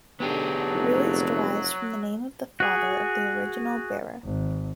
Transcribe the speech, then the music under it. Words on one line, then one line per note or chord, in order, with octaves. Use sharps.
Ruiz derives from the name of the father of the original bearer.
D3 F#3 B3 D#4 G4 G#4
F1
F#4 G#4
G#1